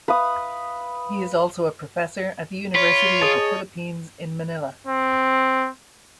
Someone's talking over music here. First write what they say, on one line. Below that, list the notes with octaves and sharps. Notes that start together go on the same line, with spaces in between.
He is also a professor at the University of the Philippines in Manila.
B4 F5 D#6
F4 C#5 B5
G#4 D#5 A5
C4